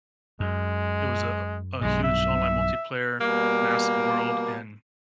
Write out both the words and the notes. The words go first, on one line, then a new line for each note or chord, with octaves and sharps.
it was a a huge online multiplayer massive world, and
F#2 G#3
B1 G2 G#3
E5
B2 G3 A#3